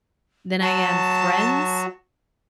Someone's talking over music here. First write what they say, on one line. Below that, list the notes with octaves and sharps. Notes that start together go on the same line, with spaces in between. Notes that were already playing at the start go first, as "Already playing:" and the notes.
than I am friends
F#3 F#4 A5